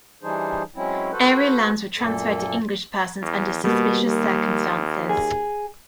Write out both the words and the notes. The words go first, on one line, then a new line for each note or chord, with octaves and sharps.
Area lands were transferred to English persons under suspicious circumstances.
E3 G3 D4 D#4 G#4 C5
F#3 G#3 C4 C#4 E4
F#4 A4 B4 C5
F#2 A#2 A#3 A4
E2
B2 G3 A#3
D#2
G#4